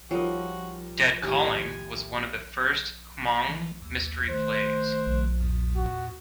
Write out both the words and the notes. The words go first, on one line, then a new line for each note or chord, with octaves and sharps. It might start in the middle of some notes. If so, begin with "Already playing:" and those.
"Dead Calling" was one of the first Hmong mystery plays.
F3 G3 D#4 F#4 A#4 C#5 D#5
D#2 A2 G4 G#5
E3 G#3
D#2
D#3 A3 C5 F#6
E2 A#2
F#4